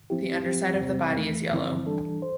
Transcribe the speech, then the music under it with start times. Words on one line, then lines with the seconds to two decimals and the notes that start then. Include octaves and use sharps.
The underside of the body is yellow.
0.10 F3 C4 E4 G4
0.46 F3 C4 G4
0.81 E2 C3 G3 C4
1.16 E2 E3 A3
1.51 G2 D3 F3 C4 E4
1.86 E3 G3 D4 A4
2.22 C5